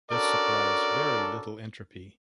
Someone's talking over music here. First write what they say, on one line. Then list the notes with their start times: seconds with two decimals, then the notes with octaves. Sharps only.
This supplies very little entropy.
0.11 C#4 D4 F#4 A4 A#4 D5